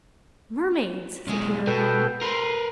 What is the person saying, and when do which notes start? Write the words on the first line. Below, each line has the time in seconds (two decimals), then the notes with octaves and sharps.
"Mermaids!" said Peter again.
1.27 B1 G#3
1.67 B2 A4 B4 G5
2.22 A#4 B4 C6